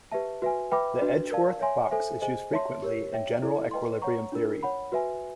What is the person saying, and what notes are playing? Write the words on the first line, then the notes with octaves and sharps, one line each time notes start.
The Edgeworth box is used frequently in general equilibrium theory.
G4 B4 E5 A5
F#4 B4 E5 G#5
B4 E5 G5 B5 D6
D4 F#4 B4
A#4 D5 F5 A5
C#5 E5 G#5 C6
A4 C5 E5 G#5
G#4 C5 D#5 G#5
C#5 E5 A5 C6
G4 A#4 C#5
C#5 E5 G5
E4 A4 D5
B4 D#5 G5 C6
C#5 F#5 A#5 C#6
D4 F4 A#4
C#5 F#5 B5
F#4 B4 E5 G#5